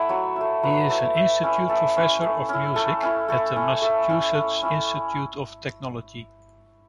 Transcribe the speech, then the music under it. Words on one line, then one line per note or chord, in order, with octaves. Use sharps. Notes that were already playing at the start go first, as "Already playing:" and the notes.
He is an Institute Professor of music at the Massachusetts Institute of Technology.
Already playing: A3 E4 E5 F#5 A5
F#3 C#5
A3 E4
F#3 B4
A3 E4
A3
C#4 E4
A3 A4
C#4 E4
A3
C#4 E4
A3 A4
C#4 E4
A3 A4
C#4 E4
A3 A4
C#4 E4
A3
C#4 E4